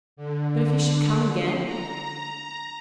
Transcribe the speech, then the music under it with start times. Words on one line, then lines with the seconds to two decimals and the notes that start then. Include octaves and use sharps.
"But if he should come again?"
0.17 D3
1.64 A#5